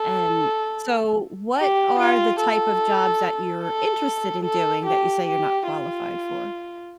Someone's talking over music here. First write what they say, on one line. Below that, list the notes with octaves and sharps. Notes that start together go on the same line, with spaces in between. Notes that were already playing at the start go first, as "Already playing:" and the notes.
And so, what are the type of jobs that you're interested in doing, that you say you're not qualified for?
Already playing: A4
G4
F4
A4
A4
A4
G4
G4
F4